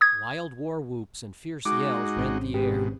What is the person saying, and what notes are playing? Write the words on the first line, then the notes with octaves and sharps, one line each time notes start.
Wild war-whoops and fierce yells rent the air.
D#6 G#6
G#3 D#4 F#4 D6
G#1 C4 C#4
G#2 B2 G4